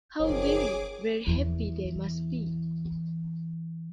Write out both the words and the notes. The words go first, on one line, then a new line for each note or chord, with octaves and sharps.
How very, very happy they must be!
F#1 D#3 F3 C#4 G#4 D6
E2 E3